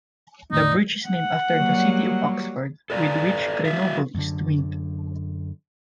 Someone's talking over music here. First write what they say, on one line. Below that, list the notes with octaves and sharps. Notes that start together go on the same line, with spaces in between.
The bridge is named after the city of Oxford, with which Grenoble is twinned.
E2 A2 D#4 D5
F#5
F#3 G3 A#3
A4 B4 D5 F5 A#5
F#3 E5 F5
F#2 D3